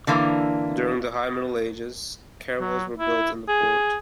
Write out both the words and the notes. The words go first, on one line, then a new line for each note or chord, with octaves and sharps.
During the High Middle Ages caravels were built in the port.
D3 E3 A#3
F#3
E4
G#4